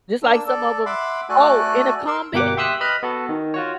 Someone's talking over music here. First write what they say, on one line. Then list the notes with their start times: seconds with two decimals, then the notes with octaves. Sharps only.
just like some of 'em Oh, in a comment,
0.23 A#3 D4 E6
0.47 A4 D5
0.86 E5 F#5 B5 C6 D6
1.29 A3 F#4 A4 D5 G#5 F#6
2.07 A#4 C6 E6
2.33 G1 B2 A#3 G4 F#5 D6
2.57 G4 E5 C6 D#6 E6 F#6
2.81 B4 D#5 B5 F6 F#6
3.03 B3 F#4 A4
3.29 D#3
3.54 F4 F#4 C#5